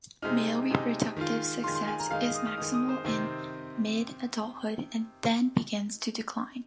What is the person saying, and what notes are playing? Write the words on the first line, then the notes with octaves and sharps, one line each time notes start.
Male reproductive success is maximal in mid-adulthood and then begins to decline.
C3 G#3 D#4 F6
C3 G#3 D#4
D#3 G#3 F4
D#3 G#3 F4 C6
C6
G#5
A#5
D#3 G#3 D#4 F5
D#5
D#6
F6
D#3 G#3 D#4 D#6
D#6
C5
C3 D#3 C4 D#4 D#5